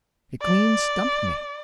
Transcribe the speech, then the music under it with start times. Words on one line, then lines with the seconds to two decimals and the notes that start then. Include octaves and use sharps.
It clean stumped me.
0.42 D5